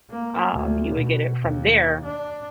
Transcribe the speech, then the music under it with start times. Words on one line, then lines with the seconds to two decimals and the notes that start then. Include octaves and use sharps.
um, you would get it from there
0.10 A#3
0.54 D2
0.94 B2
1.44 D#2
2.05 D4